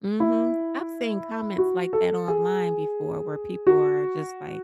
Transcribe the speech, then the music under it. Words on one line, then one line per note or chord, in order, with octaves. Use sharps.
Mhm. I've seen comments like that online before, where people are just like,
E4
F#4
A4
G#4
F#4